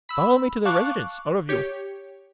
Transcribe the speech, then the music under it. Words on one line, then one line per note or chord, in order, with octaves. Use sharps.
"Follow me to the Residence--all of you!"
B5 E6
F5 A5 C#6 D6 F#6
G4 C#5